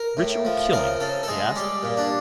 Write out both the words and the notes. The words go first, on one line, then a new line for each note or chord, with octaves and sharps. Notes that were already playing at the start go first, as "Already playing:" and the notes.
"Ritual killing?" he asked.
Already playing: A#4
A2
F3
C#3 A#4
C#3 A4
A4
G#3 G#4
G3 G4
A#2
D4